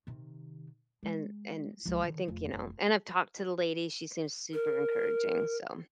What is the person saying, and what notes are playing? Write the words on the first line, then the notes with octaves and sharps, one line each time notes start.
And and so I think, you know and I've talked to the lady. She seems super encouraging, so.
C3 D#3
G#3
C#2 F3
D3 D#3
F1 F2
F1
A#4